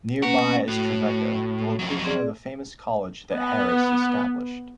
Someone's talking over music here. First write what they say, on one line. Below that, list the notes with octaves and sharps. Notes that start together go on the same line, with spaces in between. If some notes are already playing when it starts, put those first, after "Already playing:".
Nearby is Trevecca the location of the famous college that Harris established.
A#3 C#4 F#4 B4
A2 F#4
F2 F#3
C4 G#4 D5
B3